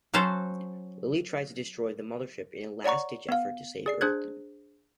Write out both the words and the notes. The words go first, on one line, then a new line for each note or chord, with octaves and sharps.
Lili tries to destroy the mothership in a last-ditch effort to save Earth.
F#3 C#4 A4 C5
C#5 D5 F#5 A#5 C#6
B3 F5
G#4 D5 C7
D4 G#4 C5 F#6 G#6